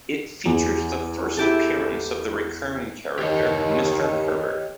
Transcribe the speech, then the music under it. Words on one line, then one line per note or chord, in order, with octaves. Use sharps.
It features the first appearance of the recurring character Mr. Herbert.
E2
E4 G4 A4
D#2 G4 C#5 D#5